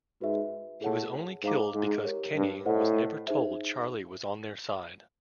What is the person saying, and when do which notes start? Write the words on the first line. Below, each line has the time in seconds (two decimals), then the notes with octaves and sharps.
He was only killed because Kenny was never told Charlie was on their side.
0.21 G#2 F#4 B4 E5
0.82 A2 G#4 C#5 F#5 A5
1.43 G#2 C5 F5 A#5 D6
1.74 G#2
2.05 G4 A#4 C#5
2.35 G2
2.66 A2 C5 D#5 F#5
3.27 D#4 G#4 C5 E5